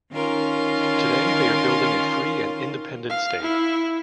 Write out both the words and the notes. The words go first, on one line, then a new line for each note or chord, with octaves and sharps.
Today, they are building a free and independent state.
D#3 C#4 F4 A#4
F5
E4